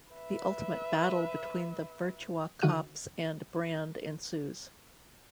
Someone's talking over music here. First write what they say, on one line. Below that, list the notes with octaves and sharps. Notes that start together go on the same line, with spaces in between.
The ultimate battle between the Virtua Cops and Brand ensues.
B4 E5
D3 D#3 F#4 F5 F#6 D#7